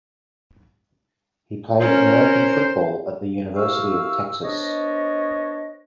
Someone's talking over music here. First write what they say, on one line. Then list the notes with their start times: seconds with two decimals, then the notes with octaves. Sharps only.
He played American football at the University of Texas.
1.80 C#4 A#4 C5
3.56 E4 G4 A#4 F5 C#6 E6
4.44 B3 D4 C5 C#5 D#5